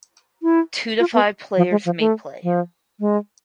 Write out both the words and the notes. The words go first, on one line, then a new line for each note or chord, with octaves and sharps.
Two to five players may play.
E4
F4
B3
F3
G#3
F3
A3
F3
G#3